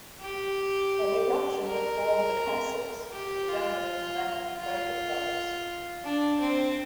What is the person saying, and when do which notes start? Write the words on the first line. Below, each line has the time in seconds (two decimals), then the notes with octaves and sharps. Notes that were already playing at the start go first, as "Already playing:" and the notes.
An eruption that formed The Castles is younger than the Mammoth Crater flows.
0.21 G4
1.66 A#4
3.12 G4
3.48 F4
4.59 F4
6.04 D4
6.40 C4